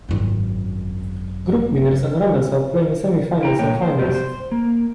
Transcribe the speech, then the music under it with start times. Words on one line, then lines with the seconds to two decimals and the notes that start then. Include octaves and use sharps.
Group winners and runners-up play in semi-finals and finals.
0.09 G#1 F#2
3.41 E4 G5 A#5
3.59 A#2 A#3 C#5 G5
3.82 C5
3.98 F2 G#2 B2 F#3 G4 D5
4.15 C5
4.52 A#3